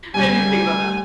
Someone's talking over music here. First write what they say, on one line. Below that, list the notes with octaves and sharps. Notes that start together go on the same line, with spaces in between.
didn't even think about that.
D2 C#3 G3 G#5